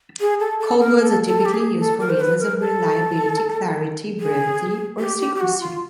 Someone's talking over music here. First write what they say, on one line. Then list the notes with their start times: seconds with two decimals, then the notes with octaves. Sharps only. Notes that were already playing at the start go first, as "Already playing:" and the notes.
Code words are typically used for reasons of reliability, clarity, brevity, or secrecy.
0.20 G#4
0.40 A4
0.60 A4
0.80 A#4
1.00 A4
1.27 A4
1.45 G4
1.54 G#4
1.80 A4
2.00 A#4
2.10 C5
2.20 B4
2.40 A#4
2.60 A4
4.20 G#4
4.99 G4
5.20 G4
5.35 G4
5.41 F#4
5.60 F4